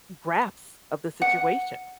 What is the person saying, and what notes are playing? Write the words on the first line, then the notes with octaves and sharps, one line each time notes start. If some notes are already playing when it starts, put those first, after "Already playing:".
grasp of the situation
F#5